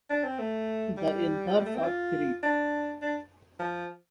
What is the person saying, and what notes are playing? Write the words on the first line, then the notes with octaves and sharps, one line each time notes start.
The anthers are free.
D4
C4
A3
G3
F3
G3
A3
C4
F4
D4
D4
F3